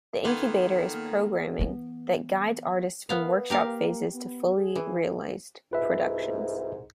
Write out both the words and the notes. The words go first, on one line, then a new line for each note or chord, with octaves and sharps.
The Incubator is programming that guides artists from workshop phases to fully realized productions.
D#3 B3 F4 A4 F#5 D6 G#6
A#3
E3 B3
B3 A#4 F5
A#3 G4 A#4 F5
B3
G#4
E3
C2 G#2 F4 B4 E5